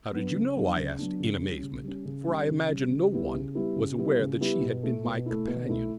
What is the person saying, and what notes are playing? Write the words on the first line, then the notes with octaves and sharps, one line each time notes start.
"How did you know?" I asked in amazement, for I imagined no one was aware that she had been my companion.
F#3 B3 D4
C#3
F#3 B3 D4
C#3
F#3 B3 D4
C#3
G3 C#4
C#3
G3 C#4
C#3
G3 C#4
C#3
G3 C#4
C#3
G3 B3 E4 G4
C#3
G3 B3 E4 G4
C#3
G3 B3 E4 G4
C#3
G3 B3 E4 G4
B2
A3 E4
B2
A3 E4
B2
A3 E4